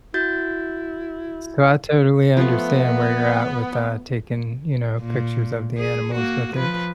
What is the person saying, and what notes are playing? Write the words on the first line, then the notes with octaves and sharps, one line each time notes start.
so, I totally understand where you're at with, uh, taking, you know, pictures of the animals with it,
E4 F#4 G6 A6
F3 A3 B3
A#2
G#4
A#3 F#4
F3 B4